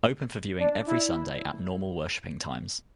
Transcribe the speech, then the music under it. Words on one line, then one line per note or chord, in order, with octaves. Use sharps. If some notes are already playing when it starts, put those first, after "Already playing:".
Open for viewing every Sunday at normal worshipping times.
D4
E4